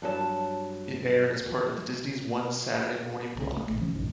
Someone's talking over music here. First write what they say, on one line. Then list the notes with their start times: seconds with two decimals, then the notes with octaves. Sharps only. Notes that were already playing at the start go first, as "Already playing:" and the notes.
It aired as part of the Disney's One Saturday Morning block.
0.02 G2 F#3 A4 A5
3.36 C2 C#3
3.53 B2 A3
3.70 A#1 A2 D#3
3.81 C3 E3 F3 C#4
3.94 A#1 F#2 A2 D#3